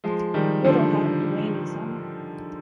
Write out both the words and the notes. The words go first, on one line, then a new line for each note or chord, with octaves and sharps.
Little hot and rainy summer.
F3 G#3
D#3 G3
D3 F3